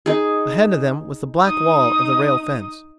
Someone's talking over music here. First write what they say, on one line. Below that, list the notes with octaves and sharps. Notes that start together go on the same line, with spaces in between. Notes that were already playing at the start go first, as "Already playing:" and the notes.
Ahead of them was the black wall of the rail fence.
D#4 G#4
D#4 D#6